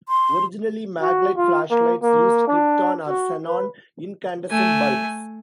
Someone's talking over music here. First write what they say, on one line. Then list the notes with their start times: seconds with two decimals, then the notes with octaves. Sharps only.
Originally Maglite flashlights used krypton or xenon incandescent bulbs.
0.09 C6
1.02 F#4
1.37 F4
1.71 A#3
2.03 A#3
2.47 D4
3.09 F#4
3.46 B4
4.50 A3 G#5